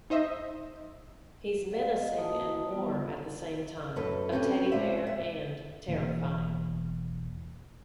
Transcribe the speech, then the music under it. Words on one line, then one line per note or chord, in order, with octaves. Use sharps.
He's menacing and warm at the same time, a teddy bear and terrifying.
D#4 C5 D#5 E5
A4 D5 F5 F#5
D#5 F5
A#3 F4 F#4 D#5 A5 D#6
G3 B3 F4 D5
F#2 A4 B4
C4 C#4 G4 A4 B4
C3 G#3 C5 D5 E5
E5
E1 E3 A#3